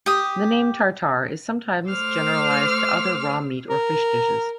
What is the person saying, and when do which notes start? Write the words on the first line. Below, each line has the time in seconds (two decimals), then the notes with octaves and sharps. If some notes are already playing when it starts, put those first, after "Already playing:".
The name tartare is sometimes generalized to other raw meat or fish dishes.
0.06 G4 D#6
1.89 A3 C5 D6 E6 F6
3.69 A#4